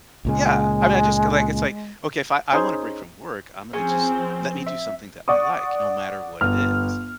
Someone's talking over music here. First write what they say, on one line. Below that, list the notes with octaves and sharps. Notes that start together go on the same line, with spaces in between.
Yeah, I mean I just c like, it's like, okay, if I I wanna break from work, I'm gonna just let me do something that I like, no matter what it is,
C#2 A#2 C#3 G#3
C#4 D#4 G#4 C5
F3 C4 C#4 G#4
E5
D5 F#5 C#6 D#6
G1 F6